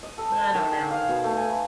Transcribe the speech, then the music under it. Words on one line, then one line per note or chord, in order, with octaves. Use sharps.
I don't know.
D#5
A4
C5
D#3
G#4
F5
B2
A3
G#5
B5